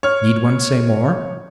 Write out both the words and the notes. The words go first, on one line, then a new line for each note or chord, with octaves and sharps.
Need one say more?
C#5 F6